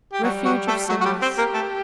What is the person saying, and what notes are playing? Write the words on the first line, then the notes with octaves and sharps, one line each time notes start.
Refuge of sinners.
G4
F#3 G3 F#4
F#3 F#4
A3 A4
F#3 A3 F#4
F#4
G3 G4
C4 G4 C5
A#3 A#4
A3 A4